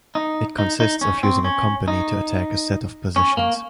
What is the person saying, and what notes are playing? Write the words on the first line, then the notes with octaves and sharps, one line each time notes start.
It consists of using a company to attack a set of positions.
D#4
D#4
D#4
C#4
C4
C#4
D#4
C#4
A#3